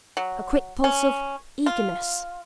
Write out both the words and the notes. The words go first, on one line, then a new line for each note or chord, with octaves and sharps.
A quick pulse of--eagerness?
F#3
C#4
F4